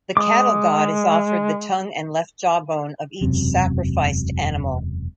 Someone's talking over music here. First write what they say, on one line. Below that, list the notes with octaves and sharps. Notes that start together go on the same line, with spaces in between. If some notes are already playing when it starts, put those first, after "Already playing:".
The cattle god is offered the tongue and left jawbone of each sacrificed animal.
G#3 D6 D#6
E1 F#2 C3